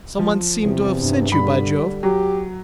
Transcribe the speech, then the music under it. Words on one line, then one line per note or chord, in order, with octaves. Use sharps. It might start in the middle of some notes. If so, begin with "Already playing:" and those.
Someone seemed to have sent you, by Jove!
F3
E2 C3
G2
D3 G3 B5
F#3 G4